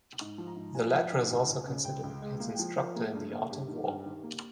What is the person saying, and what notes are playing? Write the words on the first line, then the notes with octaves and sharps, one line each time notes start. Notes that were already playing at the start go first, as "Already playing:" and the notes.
The latter is also considered his instructor in the art of war.
G#2
F3
A#5
G#2
F3 G#5
F3
G#1
C#2
C#2
C#3
C#2 G5
C#2
G#3
A#3 F5
F3 G5
F3 A#4 C5
A#3 G#4
G2
A#3
G2 G4
D#3
G2
D#3 G4
A#3